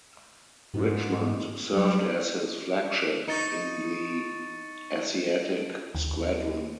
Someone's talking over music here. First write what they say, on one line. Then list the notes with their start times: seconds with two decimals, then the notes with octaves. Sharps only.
"Richmond" served as his flagship in the Asiatic Squadron.
0.74 G#2 B3
1.73 F#3 G3 C#5
3.28 D#4 C#6 A6 C#7
5.95 D#2